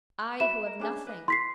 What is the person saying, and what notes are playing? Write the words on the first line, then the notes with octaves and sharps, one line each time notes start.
I, who have nothing!
F#4 E5 B5 E7
A#4
C#4 D4 G#4
B4 D#5
C6 B6 C7